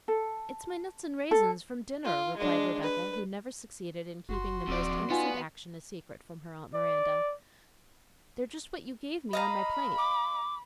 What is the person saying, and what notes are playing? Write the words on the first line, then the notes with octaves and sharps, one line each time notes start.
"It's my nuts and raisins from dinner," replied Rebecca, who never succeeded in keeping the most innocent action a secret from her aunt Miranda; "they're just what you gave me on my plate."
A4
A4
F4
G#3 D4
B4
F#1 F#4 C6
D#1 F2 D5
B3 D#4 F4 D5 G#5
D5
D#5 F5 A#5 B5
D6